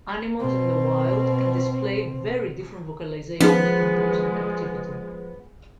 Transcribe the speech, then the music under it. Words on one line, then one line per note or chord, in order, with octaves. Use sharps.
Animals in the wild can display very different vocalizations from those in captivity.
B2 C4
F3 G#3 B3 C#4 D#4 G#4